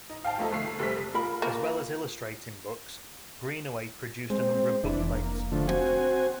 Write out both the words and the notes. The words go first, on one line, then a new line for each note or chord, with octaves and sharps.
As well as illustrating books Greenaway produced a number of bookplates.
D#4
F5 G5 A5
F3 A3 A#3 D#4 A4
G1 A3 C7
F1 G3 A3 C4 B6
F4 A#4 B5
A#3
G#3 C4
F1 E3 D4
A#3
D3 F3 A3
C4 F#4 G#5